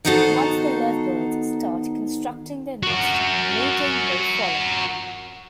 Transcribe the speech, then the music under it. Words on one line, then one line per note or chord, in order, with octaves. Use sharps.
Once the lovebirds start constructing their nest, mating will follow.
D#3 B3 D#4 F#4 A4 C5
F#4 A#4